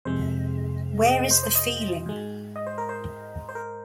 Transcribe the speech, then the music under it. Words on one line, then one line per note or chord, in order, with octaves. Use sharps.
Where Is the Feeling?
F2 C3 G#3 C5
D#5
C5
C5
D#5
G#2 G#3
D#5
C5
A#4
C5
C5
A#4